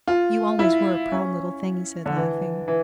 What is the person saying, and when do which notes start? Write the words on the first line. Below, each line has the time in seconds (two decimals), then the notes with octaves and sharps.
"You always were a proud little thing," he said laughing.
0.08 F4
0.59 E4
1.12 C#4
2.06 D3
2.16 E3
2.68 E3